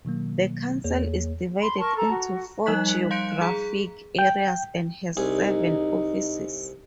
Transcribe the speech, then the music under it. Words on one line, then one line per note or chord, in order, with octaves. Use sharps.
The council is divided into four geographic areas and has seven offices.
B2 D#3 F#3 A#3
E2 A#3 G#4 C#5
B5 C6
A#4 A5 C#6
A4 A5 A#5
F#4
F3 G3 D#4 D#5 F#6 B6
F5 C6 F#6 G6 C#7 D7
G#4 A#5
G5
C2 D#4 G#4